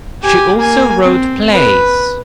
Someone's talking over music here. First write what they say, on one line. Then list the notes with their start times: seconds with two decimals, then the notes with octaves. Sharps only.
She also wrote plays.
0.22 G4 G#5
0.57 A#3 G#5
1.01 C4
1.52 B4